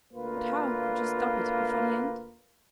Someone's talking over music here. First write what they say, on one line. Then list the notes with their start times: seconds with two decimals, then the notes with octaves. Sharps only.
But how could she stop it before the end?
0.13 D2 A#3 F4 B4